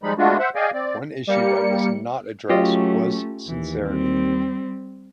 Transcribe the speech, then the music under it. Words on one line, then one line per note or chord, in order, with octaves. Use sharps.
One issue that was not addressed was sincerity.
F3 G3 G#3 D#4 B5
G#3 A3 B3 D4 F4 F#4
C5 E5 F#5
G#4 D5 D#5 F5 G5 G#5
C4 D5
G3 A#3 C#7
F#3 A3 C#4 F4 G4 D#5
D#2 E3
G3 C4